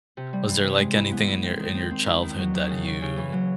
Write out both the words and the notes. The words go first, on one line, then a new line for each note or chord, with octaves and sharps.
Was there, like, anything in your in your childhood that you
C3
G3
E3
C3
G#3
E4
B3
E4
C4
D#3
C4
C4
E4
D#3
F#3
D#3
C#3
C#3
C#3
E3
F#3